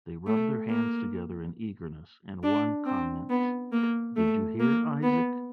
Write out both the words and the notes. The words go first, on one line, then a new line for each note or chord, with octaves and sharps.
They rub their hands together in eagerness, and one comments: Did you hear, Isaac?
A3
A#3
D4
C4
B3
A#3
A3
A#3
B3